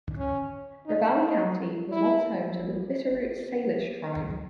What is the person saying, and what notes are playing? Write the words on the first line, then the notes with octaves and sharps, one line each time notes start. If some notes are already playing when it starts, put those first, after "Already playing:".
Ravalli County was once home to the Bitterroot Salish tribe.
C#4
D#4
D#4
E4